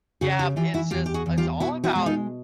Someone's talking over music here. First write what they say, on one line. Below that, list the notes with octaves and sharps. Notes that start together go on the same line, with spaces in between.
Yep, it's just it's all about
C#3 F#4 G#4
G4 A4
E3 F4 G4
E4 F#4
E2 F4 G4
G4
F#4 G#4
E2
F4 G4
B2 E4 F#4
E4 F#4
G#3
D#4 F4